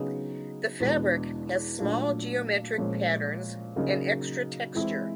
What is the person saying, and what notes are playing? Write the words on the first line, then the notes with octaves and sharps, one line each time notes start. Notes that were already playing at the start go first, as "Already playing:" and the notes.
The fabric has small geometric patterns and extra texture.
Already playing: C#3 F#3 B3 D#4 G#4
E2 B2 G#3 B3 D4
A#2 F#3 A3 D4
A#2 F3 G#3 C#4
C#3 F#3 A#3 D#4 G#4
E3 G#3 C4 E4 G#4